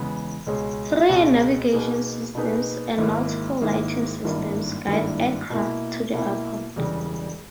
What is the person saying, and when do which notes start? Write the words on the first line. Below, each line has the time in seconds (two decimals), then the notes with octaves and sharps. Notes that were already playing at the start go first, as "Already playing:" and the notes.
Three navigation systems and multiple lighting systems guide aircraft to the Airport.
Already playing: E2 C#3 G#3 B3
0.46 C#2 B2 G#3 C#4 G#4
1.09 C#2 B2 G#3 C#4 G#4
1.72 B2 A#3 D#4 G#4 B4
2.35 B2 A#3 D#4 G#4 B4
2.98 G#1 G#2 D#3 A#3 E4
3.61 G#1 G#2 D#3 A#3 E4
4.24 G#1 G2 D#3 A#3 E4
4.87 G#1 G2 D#3 A#3 E4
5.50 B2 A#3 E4
6.13 B2 A#3 E4
6.76 E1 E2 C#3 G3